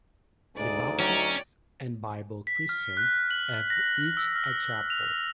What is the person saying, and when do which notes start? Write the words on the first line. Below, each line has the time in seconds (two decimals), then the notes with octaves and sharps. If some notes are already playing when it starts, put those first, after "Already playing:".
The Baptists and Bible Christians have each a chapel.
0.56 D2 G#3 D#4 D5
0.99 F#3 C#4 D5 G5
2.47 B6
2.69 F6
2.97 F#6
3.31 F#7
3.70 A#6
4.17 E6
4.36 F6
4.90 F7